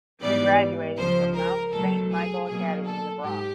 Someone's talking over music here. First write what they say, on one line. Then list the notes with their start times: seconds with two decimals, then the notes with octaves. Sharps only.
He graduated from Mount Saint Michael Academy in the Bronx.
0.22 G#2 E3 G3 B3 D5
0.97 C#2 C#3 F3 C5
1.35 A#4
1.73 C#2 B2 F#3 A3 A4
2.11 G#4
2.48 B2 F#3 A#3 G#4
2.86 A4
3.24 G#2 G4